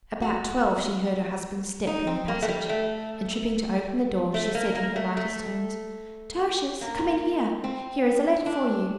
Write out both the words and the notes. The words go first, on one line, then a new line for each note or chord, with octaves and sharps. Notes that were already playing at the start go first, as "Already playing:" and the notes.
About twelve she heard her husband's step in the passage, and tripping to open the door, she said in her lightest tones, "Tertius, come in here--here is a letter for you."
F#4
D#4
C4
A#3
A3
G3
A3
A3
A#3
A#3
A3
A3
A#3
C4
D4